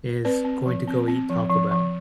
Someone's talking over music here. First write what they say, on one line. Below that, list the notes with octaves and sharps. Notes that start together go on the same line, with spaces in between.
is going to go eat Taco Bell.
C4 B4 D5
C4
F3
C4
C4
F3
F3
F3